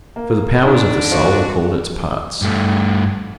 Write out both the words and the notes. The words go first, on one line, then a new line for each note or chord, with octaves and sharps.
For the powers of the soul are called its parts.
A#3
D3 D4 D#4
F2 F#4 D5
G2 A3